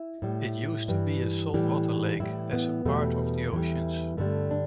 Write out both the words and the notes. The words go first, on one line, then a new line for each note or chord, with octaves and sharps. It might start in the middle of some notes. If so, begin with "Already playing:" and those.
It used to be a salt water lake as a part of the oceans.
Already playing: E4
A2 G3
G2 E3 G3
A2 E3 G3 G4
A2 E3 G3 E4
B3
E2 B2 G3 A3
E2 E3 G3
G2 D3 G3 A3
D4